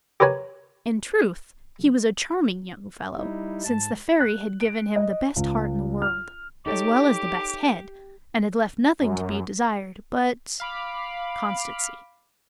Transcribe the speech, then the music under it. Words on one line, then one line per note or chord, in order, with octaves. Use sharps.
In truth, he was a charming young fellow, since the Fairy had given him the best heart in the world as well as the best head, and had left nothing to be desired but--constancy.
G4 A#4 B4 C#5 G#5
G3 D#4 E4
G#2 A5
F#6
D7
D#5
C#2
F6
D#4 G4 A4 C#5 D6
F#2
F5 B5 D6